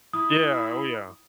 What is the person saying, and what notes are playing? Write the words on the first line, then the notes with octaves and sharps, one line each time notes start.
Yeah, oh, yeah.
E4 D#6